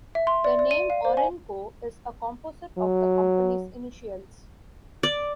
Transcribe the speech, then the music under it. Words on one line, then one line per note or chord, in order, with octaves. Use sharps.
The name Orenco is a composite of the company's initials.
E5
C6
D5
D5
D#7
F5
C5
G#5
F#3
D5